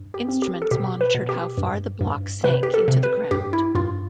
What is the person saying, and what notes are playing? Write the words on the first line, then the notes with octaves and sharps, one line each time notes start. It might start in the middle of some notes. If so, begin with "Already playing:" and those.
Instruments monitored how far the block sank into the ground.
Already playing: G2
G4
C4
G4
A4
B2 G4
B4
B2
G4
G2
G2
C3 B4
G4
A4
C3
B4
G2 G4
E4
G2 F4